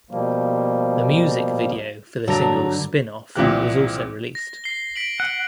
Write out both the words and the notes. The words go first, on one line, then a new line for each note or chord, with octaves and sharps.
The music video for the single "Spin Off" was also released.
B2 F3 G3 A#3
G2 D3 F#3 A#5
C2 A#2 E3 F3 G4 F#6
A#6
C7 G7
B6 D7 F#7
F#5